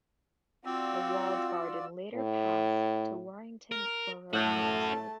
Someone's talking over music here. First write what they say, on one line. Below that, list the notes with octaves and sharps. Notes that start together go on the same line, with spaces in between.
The walled garden later passed to Warrington Borough Council.
C4 F4 F#4 D5 E6
A2
A#4
A2 A3 C#4 F#4 A5